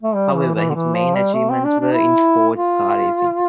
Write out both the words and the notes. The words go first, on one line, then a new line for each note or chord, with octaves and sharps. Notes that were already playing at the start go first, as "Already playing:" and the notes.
However his main achievements were in sports car racing.
A3
G3
E3
E3
D3
E3
F3
G3
A3
C4
D4
D4
E4
F4